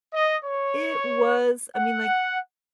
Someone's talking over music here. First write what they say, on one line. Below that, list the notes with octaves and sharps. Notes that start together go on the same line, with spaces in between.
I It was. I mean, like,
D#5
C#5
F#5